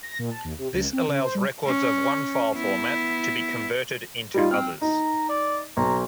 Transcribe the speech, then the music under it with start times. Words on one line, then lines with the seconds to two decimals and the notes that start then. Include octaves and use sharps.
This allows records of one file format to be converted into others.
0.03 A#6
0.19 A#2
0.31 A5
0.44 D#2
0.59 C3
0.73 C#2
0.93 C4
1.08 C#3
1.22 C5
1.35 G3
1.66 C#4
2.54 B3 E4
4.34 G3 D#4 F4
4.51 C4 F6
4.82 D#4 A#5
5.29 D5
5.77 B1 A#5